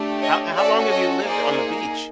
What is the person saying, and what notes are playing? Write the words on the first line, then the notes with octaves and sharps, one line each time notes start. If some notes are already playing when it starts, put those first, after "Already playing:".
How how long have you lived on the beach?
Already playing: A3 D4 G4
C#5 D#5
C#4 F#4 A4 D5 E5
C#5 D#5
A#3 D#4 G#4 C5 D5